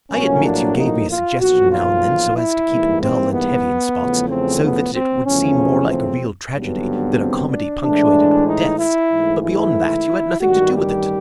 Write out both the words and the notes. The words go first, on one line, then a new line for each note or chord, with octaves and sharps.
"I admit you gave me a suggestion now and then so as to keep it dull and heavy in spots, so that it would seem more like a real tragedy than a comedy punctuated with deaths, but beyond that you had nothing to do with it."
A#1 A2 F#3 A#3 C#4
D4
D#4
F4
B1 A#2 F3 F#4
F4
E4
G#2 E3 G3 A#3
C4
B3
E2 C#3 F3 A3
C4
B3
C4
E2 C#3 F3 A3 C#4
C4
G#1 G2 D3 F#3 B3
C4
D4
A2 E3 G#3 D4
D#4
E4
G#2 E3 A3
E4
A1 G2 D#3 G3 F#4
G4